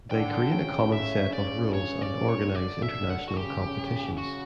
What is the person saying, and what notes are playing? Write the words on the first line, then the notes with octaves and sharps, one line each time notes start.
They create a common set of rules and organise international competitions.
D3 D4 G5
C#3 C#4 G5
E5
D5
C#5
D5
C#5
D3 D5
E5
F#5
F#4
C#3 G4
F#4